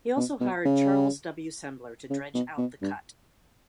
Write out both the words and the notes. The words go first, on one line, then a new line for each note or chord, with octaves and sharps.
He also hired Charles W. Sembler to dredge out the cut.
B2
B2
C#3
C#3
B2
B2
G2